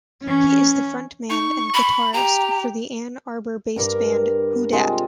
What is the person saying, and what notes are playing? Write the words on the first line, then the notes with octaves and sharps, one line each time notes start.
He is the frontman and guitarist for the Ann Arbor-based band, Who Dat?
E3 C#4
D#4 C#6
B5
G4 A#5
G2 A#4 D6
C3 G#3 F4